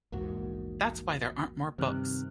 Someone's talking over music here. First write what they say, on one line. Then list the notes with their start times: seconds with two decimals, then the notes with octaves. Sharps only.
That's why there aren't more books.
0.12 A#1 E2 G#2 A#3 F#4
1.78 G2 C3 D#3 F6 F#6